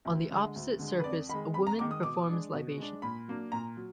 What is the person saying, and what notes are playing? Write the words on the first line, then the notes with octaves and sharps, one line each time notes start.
On the opposite surface a woman performs libation.
D2
D3 G#3
D2
D3 G#3
B4
F2 D5
D#3 G#3 B5
F2 B5
A#5
D#3 G#3 D6
D#6
B2 D6
G#3 D4
B2
G#3 D4
A#2 B5
F#3 A#3 D4
A#2 A#5
F#3